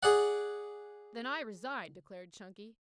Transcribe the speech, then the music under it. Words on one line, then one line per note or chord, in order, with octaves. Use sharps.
"Then I resign," declared Chunky.
G#4 D5 F#5